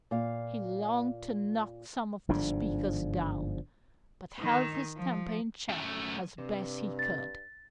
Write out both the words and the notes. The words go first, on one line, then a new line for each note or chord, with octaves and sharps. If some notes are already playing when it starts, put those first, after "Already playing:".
He longed to knock some of the speakers down, but held his temper in check as best he could.
A#2 F5
G1 G#2 F3 D4
D#3
F3
F#2 A3
G2 C3
A6